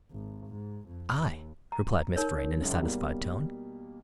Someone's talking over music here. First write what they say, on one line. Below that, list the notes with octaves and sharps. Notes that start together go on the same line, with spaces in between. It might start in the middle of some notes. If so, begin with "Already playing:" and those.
"I!" replied Miss Vrain in a satisfied tone.
G#1
G#2
F2
D#2
A#5
D#4 A#4 C#5
C#2 F#2
B2 G3 A#3